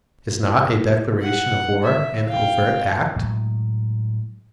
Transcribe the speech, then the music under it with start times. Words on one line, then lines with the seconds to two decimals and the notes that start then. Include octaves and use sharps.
Is not a declaration of war an overt act?
1.21 F#5
1.84 E5
2.27 F5 G5
3.16 A2 F#3 G#3